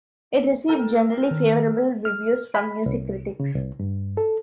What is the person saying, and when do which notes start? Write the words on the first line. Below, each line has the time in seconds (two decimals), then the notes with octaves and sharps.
It received generally favorable reviews from music critics.
0.69 A4 A#4 G5
1.31 D#3
2.05 F6
2.55 B5
2.86 C2
3.40 C#3
3.55 C2
3.80 G2
4.17 A4